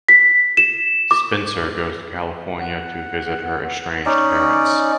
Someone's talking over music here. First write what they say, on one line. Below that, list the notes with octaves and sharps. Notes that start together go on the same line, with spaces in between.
Spenser goes to California to visit her estranged parents.
B6
E7
D6
F#5
C#4 D#4 C#5 D5